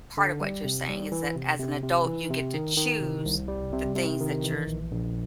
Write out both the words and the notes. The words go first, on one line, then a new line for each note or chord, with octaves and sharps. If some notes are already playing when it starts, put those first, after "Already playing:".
part of what you're saying is that as an adult, you get to choose the things that you're j
D3
G3
C3
G3
E3
C3
C3
C3
E3
C3
D#3
D#3
C3
C2
G3
C3
C3
D#3
E3
A#1
A#1